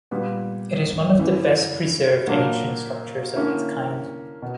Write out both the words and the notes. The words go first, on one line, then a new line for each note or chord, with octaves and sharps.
It is one of the best preserved ancient structures of its kind.
A#2 G3 B3
F#2 C#3 E3
A#2 F#3 A#3 D4 A#4
D3 A#3 C#4 E4
B2